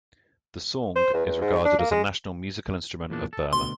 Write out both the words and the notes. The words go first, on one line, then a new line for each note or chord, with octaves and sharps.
The saung is regarded as a national musical instrument of Burma.
C5
E2
E2
G#2
D4
A#3
G#3
E2 A#2 D4
A4
D2 B2 C6